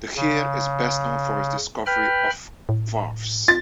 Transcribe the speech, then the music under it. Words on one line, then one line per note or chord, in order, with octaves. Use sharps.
De Geer is best known for his discovery of varves.
C#3
B4 G5 B5 F6
A2
F4 A6